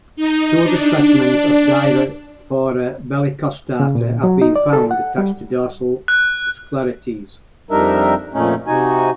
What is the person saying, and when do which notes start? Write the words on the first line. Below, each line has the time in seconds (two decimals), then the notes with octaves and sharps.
Two other specimens of "Diraphora bellicostata" have been found attached to dorsal sclerites.
0.16 D#4
0.63 D4
3.80 C#3
3.95 A#2
4.24 F#3
4.42 D#4
4.56 D5
4.73 A4
4.91 F#5
5.18 G3
6.08 F#6
7.71 F2 G3 D4 D#4 A#4 E5
8.34 F2 A#2 A3 C#4 D#4
8.67 C3 D#4 F#4 G#5